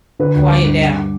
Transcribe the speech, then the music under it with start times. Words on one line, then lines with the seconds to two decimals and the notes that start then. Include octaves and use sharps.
Quiet down.
0.19 D3 B4
0.35 D2
0.50 G2 D6
0.66 G2
0.81 G2